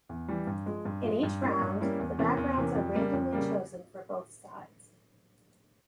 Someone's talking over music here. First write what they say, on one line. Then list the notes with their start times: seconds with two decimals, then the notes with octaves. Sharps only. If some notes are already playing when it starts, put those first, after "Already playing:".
In each round, the backgrounds are randomly chosen for both sides.
0.09 E2
0.28 E3 G3
0.47 G2
0.66 F3 G#3
0.85 G2
1.04 F3 G#3
1.23 G2
1.42 G3 A#3 C#4 E4
1.61 G2
1.81 G3 A#3 C#4 E4
1.99 E2
2.18 C3 E3 A#3 C#4
2.37 E2
2.57 C3 E3 A#3 C#4
2.76 F2
2.94 C#3 G3 A#3
3.13 F2
3.33 C#3 G3 A#3